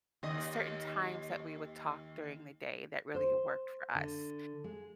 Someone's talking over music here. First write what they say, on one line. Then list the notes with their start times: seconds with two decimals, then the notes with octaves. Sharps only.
certain times that we would talk during the day that really worked for us.
0.23 D#2 D#5
3.15 C5
3.95 D3
4.64 G#3